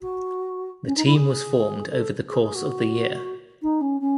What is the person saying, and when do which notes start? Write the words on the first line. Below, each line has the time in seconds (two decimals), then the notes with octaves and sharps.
The team was formed over the course of the year.
0.01 F#4
0.86 C#4
0.96 D#4
1.05 E4
1.15 G#4
1.91 A4
2.29 G#4
2.42 G#4
2.54 F#4
3.62 D#4
3.80 C#4
4.00 C#4